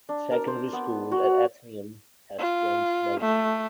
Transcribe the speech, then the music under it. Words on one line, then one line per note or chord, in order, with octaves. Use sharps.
Secondary School at Atheneum at Ghent, Belgium.
D4
A#4
C5
B3
F#4
F#4
F4
A3